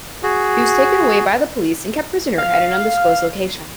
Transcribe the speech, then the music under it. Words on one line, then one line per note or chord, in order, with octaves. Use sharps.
He was taken away by the police and kept prisoner at an undisclosed location.
F#4 G#4
F5